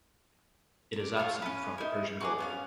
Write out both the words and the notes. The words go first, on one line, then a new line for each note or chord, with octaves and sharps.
It is absent from the Persian Gulf.
D5
F4 F5 G#5 C#6
C#4 B4
D#4 E4
F#4 G#4 D5
B3 C#4 F5